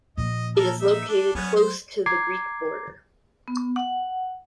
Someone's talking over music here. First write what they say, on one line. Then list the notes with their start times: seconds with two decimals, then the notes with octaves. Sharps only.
It is located close to the Greek border.
0.17 A#2 F3 D#5
0.56 A4 A#4
0.80 D#4 E5
1.08 D4
1.35 F#3 B3 C#4
1.56 C5
2.06 A#5 D6 G#6 C7
3.48 B3
3.76 F#5